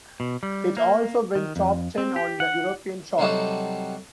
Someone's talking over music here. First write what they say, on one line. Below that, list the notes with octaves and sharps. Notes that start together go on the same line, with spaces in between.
It also went top ten on the European chart.
B2
G3
A#3
D#3
F2
C4
G4
F#5
C3 F#3 G3 D#4 F#4 A4